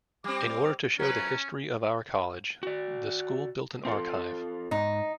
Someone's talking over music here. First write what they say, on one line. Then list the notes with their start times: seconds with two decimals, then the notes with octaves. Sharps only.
In order to show the history of our college, the school built an archive.
0.24 G3 C4 D6
0.99 F#3 C#4 B4 A#5
2.63 F#4 D5
3.85 C4 F4 A4
4.71 G#2 D#4